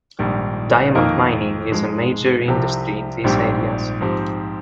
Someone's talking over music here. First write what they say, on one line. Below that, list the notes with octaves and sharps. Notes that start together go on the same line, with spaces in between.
Diamond mining is a major industry in these areas.
A#1 G#2 D#3 G3
F2 D#3 A#3 D#4 A#4
G#2 F3 G#3
C2 C3 F3 C4 G4
A#1 G#2 G3 C4 G4
G#2 F3 C4 G4